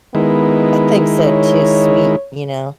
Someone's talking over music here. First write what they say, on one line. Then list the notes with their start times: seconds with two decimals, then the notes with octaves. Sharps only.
I think so too sweet, you know?
0.15 D#3 G#3 B3 E4
1.24 C#5